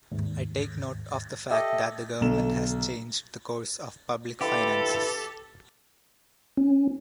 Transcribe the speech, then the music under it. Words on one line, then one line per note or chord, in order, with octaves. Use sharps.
I take note of the fact that the Government has changed the course of public finances.
D#2 G#2
G4 A4 D#5 E5
B1 D3 E7
D3 E4 F4 G4 A4 B4
C#4